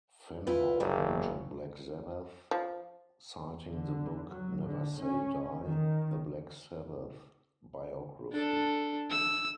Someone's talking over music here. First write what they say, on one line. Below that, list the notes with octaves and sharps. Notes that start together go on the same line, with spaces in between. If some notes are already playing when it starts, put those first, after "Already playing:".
Fenholt mentioned Black Sabbath, citing the book 'Never Say Die', a "Black Sabbath" biography.
E4 F4 B4
F#1 C#3 G3 A#3
F3
D3
F#3
D3
C#4
D#3
D4 A4
E6